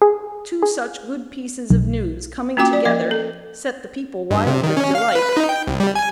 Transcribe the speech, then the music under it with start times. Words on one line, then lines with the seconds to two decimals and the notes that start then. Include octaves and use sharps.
Two such good pieces of news coming together set the people wild with delight.
0.02 G#4
0.63 G#4
1.70 B1
2.57 A#3 C#4 F4 F#4 G5 D6
2.73 D5
2.85 F3 A#3 A#4 D#5
3.11 A4
4.31 G2
4.47 C3
4.64 D#3
4.77 C#4
4.95 F5
5.15 B4
5.37 D#4
5.49 G5
5.67 C2
5.80 G3
5.95 G#5